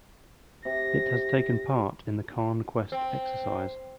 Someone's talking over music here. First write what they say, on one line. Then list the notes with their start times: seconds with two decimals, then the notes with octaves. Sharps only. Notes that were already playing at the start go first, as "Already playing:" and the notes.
It has taken part in the Khaan Quest exercise.
0.65 C3 A#6
2.92 C4